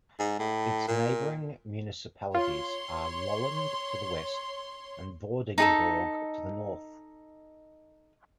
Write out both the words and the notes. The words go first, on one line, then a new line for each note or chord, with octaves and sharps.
Its neighboring municipalities are Lolland to the west and Vordingborg to the north.
G#2
A2
A#2
F4 C#5 C6
D#4 G#4 A4